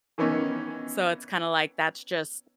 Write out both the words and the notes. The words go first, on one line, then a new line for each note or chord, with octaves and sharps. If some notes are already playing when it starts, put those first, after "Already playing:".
so it's kinda like that's just
D#3 E3 B3 C#4 D#4